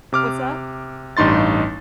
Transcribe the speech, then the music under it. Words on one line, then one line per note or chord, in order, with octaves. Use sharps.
What's that?
C3 D6 F6
A1 G2 D#4 C6 A6